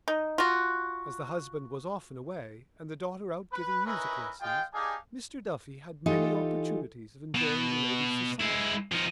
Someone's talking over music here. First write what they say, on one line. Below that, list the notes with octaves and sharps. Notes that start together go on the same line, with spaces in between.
As the husband was often away and the daughter out giving music lessons Mr. Duffy had many opportunities of enjoying the lady's society.
D#4
F4 F#4
B4
C#4 D#4 E4 A#4 B4
G#3 F4 D#5 F5 G5
D4 D#4 G4 G#4 F5 G#5
E3 D#4 F4 G4 A4
B2
G#3 E4
F3 D#4